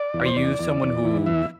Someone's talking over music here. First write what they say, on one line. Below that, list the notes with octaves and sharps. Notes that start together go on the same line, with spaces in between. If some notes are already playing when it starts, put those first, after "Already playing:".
Are you someone who
Already playing: D5
E2
C5
E2 D5
E2
E2
E3
E2 E5